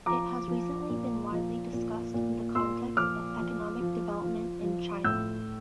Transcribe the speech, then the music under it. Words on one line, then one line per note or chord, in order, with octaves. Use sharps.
It has recently been widely discussed in the context of economic development in China.
F3 A#5 D6
F3
A#2
F3
A#2
A#2
A#2 C6 E6
F3 D6 F6
F3
F3
F3
F3
A2 E6 G6